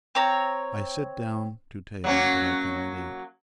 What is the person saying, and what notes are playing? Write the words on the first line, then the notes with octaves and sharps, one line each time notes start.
I sit down to table; but I cannot eat.
C4 C#5 A#5
F#3 A#3 C#4